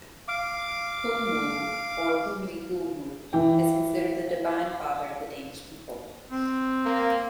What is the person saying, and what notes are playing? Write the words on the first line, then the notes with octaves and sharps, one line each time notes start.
"Hulmul" or Humli-Hulmul, is considered the divine father of the Danish people.
F5 D6
E3 G5
C4
A#3